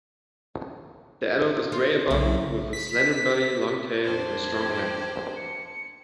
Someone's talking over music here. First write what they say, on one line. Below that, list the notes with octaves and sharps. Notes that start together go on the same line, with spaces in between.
The adult is grey above with a slender body, long tail and strong legs.
F4
F#1 B1 F2 C#3 E4
B6
F2 D4 G4 C5 G#6
C#7